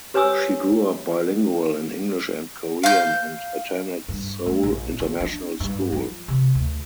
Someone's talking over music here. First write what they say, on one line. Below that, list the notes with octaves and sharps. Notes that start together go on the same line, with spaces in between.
She grew up bilingual in English and Korean and attended Seoul International School.
G4 B4 C#5 G#5 D#6 E6
F5 G6
G2
A3
A#1
F3
D4
G2
F3
C3
D2